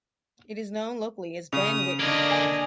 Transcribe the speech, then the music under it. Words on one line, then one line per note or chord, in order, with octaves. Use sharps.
It is known locally as "Ben Whitton".
C#3 D#6 F7
D3 A#3 D4 D#5 G#6 D7
G#5